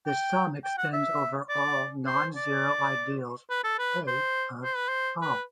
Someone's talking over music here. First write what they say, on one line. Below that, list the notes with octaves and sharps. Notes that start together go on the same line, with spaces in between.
The sum extends over all non-zero ideals "a" of O.
G5
G5
F#5
E5
D5
C5
D5
B4
A4
B4
C5
C5
B4
C5
B4